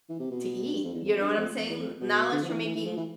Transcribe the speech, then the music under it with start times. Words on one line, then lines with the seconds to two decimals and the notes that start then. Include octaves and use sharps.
to eat? You know what I'm saying? N not unless you're making,
0.09 E3
0.20 C3
0.31 B2
0.73 G2
0.84 F2
0.94 E2
1.04 F2
1.15 F2
1.20 G2
1.37 F2
1.58 F2
1.69 E2
1.79 F2
2.01 B2
2.32 D3
2.43 F3
2.49 E3
2.64 E3
2.75 E3
2.86 F3
2.97 E3